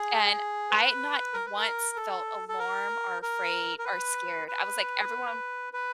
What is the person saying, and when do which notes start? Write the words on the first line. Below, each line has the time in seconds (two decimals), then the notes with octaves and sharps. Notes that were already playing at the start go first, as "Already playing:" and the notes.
and I not once felt alarm or afraid or scared, I was like, everyone
Already playing: G#4
0.70 B4
1.33 A#4
1.46 B4
1.58 A#4
1.96 A4
2.49 A4
2.59 A#4
3.22 A#4
3.78 A#4
3.85 B4
4.48 B4
5.73 B4